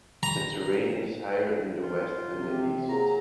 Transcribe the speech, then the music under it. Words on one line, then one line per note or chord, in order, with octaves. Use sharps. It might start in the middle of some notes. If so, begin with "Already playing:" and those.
The terrain is higher in the west and the east.
A#5
F4
C3
F#3 A#3 G#4 A#5